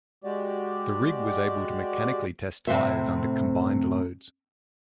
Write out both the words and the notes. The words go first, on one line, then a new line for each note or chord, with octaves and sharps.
The rig was able to mechanically test tyres under combined loads.
G#3 F#4 G4 D5
A2 C3 B3 C4 C5 E5